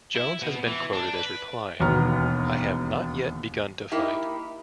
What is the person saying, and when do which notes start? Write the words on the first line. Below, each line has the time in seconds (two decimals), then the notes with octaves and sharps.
Jones has been quoted as replying, "I have not yet begun to fight".
0.16 E4
0.42 B2
0.67 E3
0.93 D4
1.14 B4
1.80 E1 D#2 B2 B3 A#5 F6
3.92 A#3 D#4 E4 G4